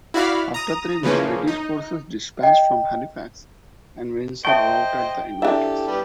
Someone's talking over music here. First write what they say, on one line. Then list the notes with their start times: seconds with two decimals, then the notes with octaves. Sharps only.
After three weeks, British forces dispatched from Halifax and Windsor routed the invaders.
0.14 E4 F#4 D5 F5 B5 F6
0.54 A#5 D#6
1.03 C#3 E3 F3 A#3 C#4
1.48 D#4
2.43 D#5 G5
4.45 C5 D#5 E5 G5 A5 C#6
5.42 D4 E4 G4 A4 E5 F5
5.88 G3 B3 G4